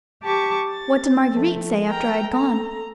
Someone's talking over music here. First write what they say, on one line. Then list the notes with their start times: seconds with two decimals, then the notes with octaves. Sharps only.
"What did Marguerite say after I had gone?"
0.23 G4 A5 C#6 D6
0.66 A6
1.31 F3 A3
1.89 A#4 G5 A#5
2.30 A4 A#5